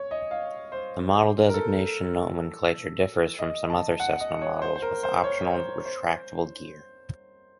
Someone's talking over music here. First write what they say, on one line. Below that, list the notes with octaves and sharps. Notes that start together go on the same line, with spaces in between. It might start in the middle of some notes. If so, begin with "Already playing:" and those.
The model designation nomenclature differs from some other Cessna models with optional retractable gear.
Already playing: C#5
D#5
F5
C5
A#4
A4
D#5
A5
F#5
D#5
C#5
C5
C5
A#4
C5
C#5
C5
C5